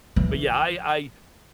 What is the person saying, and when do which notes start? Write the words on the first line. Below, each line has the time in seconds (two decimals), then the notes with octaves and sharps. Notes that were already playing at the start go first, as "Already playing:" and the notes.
but, yeah, I I
0.16 E3